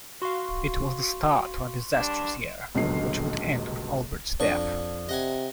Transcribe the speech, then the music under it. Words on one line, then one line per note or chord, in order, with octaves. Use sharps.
It was the start to a disastrous year, which would end with Albert's death.
F#4 F5 C6 C#6
G2 D4 E7
D#1 C#2 B2 D3 F#3 C7
F2 D4 C#6
C3 D#5 F#5 G#5